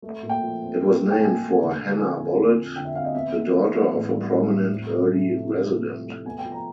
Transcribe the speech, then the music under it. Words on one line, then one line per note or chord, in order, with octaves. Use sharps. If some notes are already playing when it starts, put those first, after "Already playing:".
It was named for Hanna Bullett, the daughter of a prominent early resident.
A3
A#2
G5
F3
C4
A#2
A3
G5
A#2 G#5
A3
D3
D3
F3 G#5
F2
F3
F2
D3 G5
E5
F2 F5
D#5
B3 E5
E3
B3
E3
A2
G3
A2
A2
C4
C3
A3
F3
F3
C3
C3
A3
B3 G#5
G5
F3
A#5